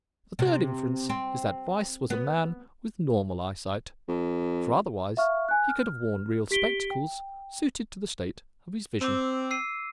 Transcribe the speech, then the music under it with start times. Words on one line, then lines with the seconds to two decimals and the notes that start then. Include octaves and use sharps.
The third inference is that Weiss was a man with normal eyesight; for otherwise he could have worn real spectacles suited to the state of his vision.
0.39 C3
1.09 C4
2.10 B3
4.08 F2
5.17 E5 F5 C#6 F6
5.49 G#5 F#6
5.69 F6
6.51 G4 B6 D7 G7
6.91 G5
9.01 C4 D6 E6
9.51 E6 C7 D#7